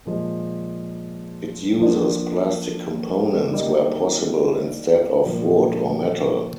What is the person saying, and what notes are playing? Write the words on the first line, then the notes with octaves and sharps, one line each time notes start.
It uses plastic components where possible instead of wood or metal.
A#2 F3 G#3
F3 A#3 D4
D#3 G3 A#3 D#4
A#2 F3 A#3